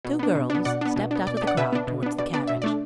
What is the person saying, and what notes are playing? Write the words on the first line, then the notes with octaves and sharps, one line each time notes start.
Two girls stepped out of the crowd towards the carriage.
B2
B3 D4
B2
B3 D4
B2 D5 F#5
B3 D4
B2
B3 D4
B2 D5
D5
B3 D4
D5 F#5
B2 B4 E5
B3 D4
B2
B3 D4
B2 D5
B3 D4 D5
B2 E5
A3 D4 D5